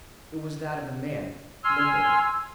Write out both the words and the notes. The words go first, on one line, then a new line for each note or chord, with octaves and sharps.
It was that of a man, limping.
G#5 C6 E6 F6